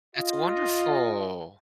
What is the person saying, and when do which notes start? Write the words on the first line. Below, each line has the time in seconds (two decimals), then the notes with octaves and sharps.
That's wonderful.
0.16 F4 D#5